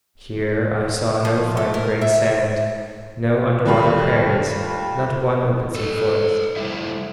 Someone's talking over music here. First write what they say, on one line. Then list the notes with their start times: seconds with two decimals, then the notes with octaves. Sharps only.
Here I saw no fine-grained sand, no underwater prairies, not one open-sea forest.
1.25 F3
1.57 A3
1.74 A#4
2.01 E5
3.65 D#2 G3 A3 F4 B5
5.76 A4 B4
6.56 G3 A3 E4 E5